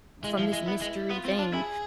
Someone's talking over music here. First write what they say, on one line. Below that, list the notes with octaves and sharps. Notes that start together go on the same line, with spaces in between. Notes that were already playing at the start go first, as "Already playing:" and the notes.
from this mystery thing."
G#3 E4
F3
G#3
B3
G#3
B3 F4
C4
D4
E4 G#4